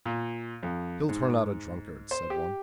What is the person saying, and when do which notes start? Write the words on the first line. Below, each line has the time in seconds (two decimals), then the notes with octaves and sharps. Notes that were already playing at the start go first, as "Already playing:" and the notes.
"He'll turn out a drunkard," said one.
0.06 A#2
0.63 F2
1.09 G#2
2.11 C5
2.30 G4